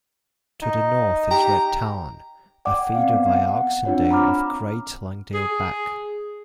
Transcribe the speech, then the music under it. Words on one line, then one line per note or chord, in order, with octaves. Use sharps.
To the north is Red Tarn, a feeder via Oxendale of Great Langdale Beck.
D#4
G4 A#5
D5 F#5 G5 D6
C4 F5
B3
F#5
C4 D4 F4 C#5 F#5
A#5 B5 D6 F6
G#4